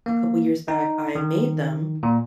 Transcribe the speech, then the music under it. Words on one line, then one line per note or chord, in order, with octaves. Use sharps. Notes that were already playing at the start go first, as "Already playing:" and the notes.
a couple years back, I made them,
A#3
D#4
D#3
A#2